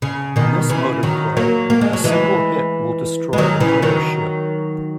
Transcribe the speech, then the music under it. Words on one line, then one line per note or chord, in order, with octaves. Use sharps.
In this mode of play, a single hit will destroy the player's ship.
C#3
B2 D#3
C#3 E3
D#3 F#3
F#3 A#3
A#3
G#3
F#3
E3 G#3
G#3
D#3 F#3
C#3 E3
D#3 F#3